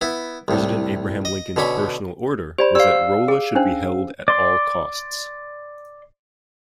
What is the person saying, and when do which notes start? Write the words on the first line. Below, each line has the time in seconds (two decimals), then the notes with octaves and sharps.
President Abraham Lincoln's personal order was that Rolla should be held at all costs.
0.01 B3 E4
0.48 C2 A2
1.25 D#5
1.56 B2 D3 C#4 B5
2.59 G4 C5 D5 B5
2.75 G4 D5 F5 E6
3.28 G#4
3.55 C#4 D4 C5
4.28 D5 C6